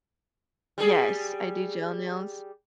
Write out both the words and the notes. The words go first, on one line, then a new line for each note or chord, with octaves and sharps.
Yes. I do gel nails,
G3 G#4